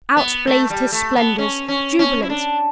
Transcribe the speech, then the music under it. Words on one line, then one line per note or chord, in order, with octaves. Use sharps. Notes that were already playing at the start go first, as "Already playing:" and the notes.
Out blazed his splendors--jubilant.
B3
A3
G3
A3
B3
C#4
C#4
C#4
E4
D4